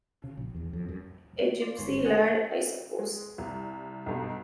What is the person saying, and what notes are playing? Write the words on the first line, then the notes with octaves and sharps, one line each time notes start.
A gipsy lad, I suppose.
C#3
A#1
E2
F2
F#2
F4 D5
G1 G#2 C#5 C6
D4 G#4 C5 D#5 F#5 G#5
G#3
C2
B1 G2